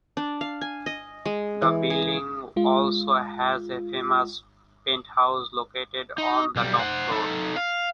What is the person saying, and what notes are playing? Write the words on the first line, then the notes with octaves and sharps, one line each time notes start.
The building also has a famous penthouse located on the top floor.
D4
F5
G#5
D#5
G#3
E3
G#4
G#3 F4
D#4
B1 G3
C5 F#5
D#4 A4
F5